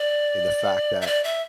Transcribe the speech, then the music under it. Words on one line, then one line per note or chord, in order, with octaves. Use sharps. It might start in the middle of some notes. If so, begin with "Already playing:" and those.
And the fact that
Already playing: D5
E5
D5
E5